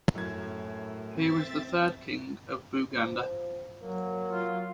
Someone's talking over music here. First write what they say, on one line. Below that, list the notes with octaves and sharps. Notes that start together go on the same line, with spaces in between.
He was the third king of Buganda.
F#2 A2 G#6
C4 E5 A6
F3
F#3 A#3
F4